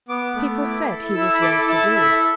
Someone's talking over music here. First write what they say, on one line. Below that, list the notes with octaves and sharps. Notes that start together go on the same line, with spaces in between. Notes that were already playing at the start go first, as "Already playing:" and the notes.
People said he was well-to-do.
B3 D6
A3
E4
A4
E4 E6
B5
A4 D6
E4 A5
A4 E5